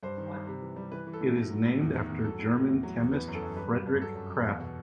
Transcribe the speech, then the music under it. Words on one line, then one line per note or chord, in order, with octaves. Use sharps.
It is named after German chemist Friedrich Krafft.
G2 C5
D#3
G3
C3
E3
G3
E3 B4
E3
A4
A2
A2
F#3
A2
E2
D#3
E2
F#3 A4
A2
A2
E2
F#3
E2
E3 B3
F#2
A4
F#2
G2 B4
G3
G2
F#3 A4
F#2
F#2
E2
B2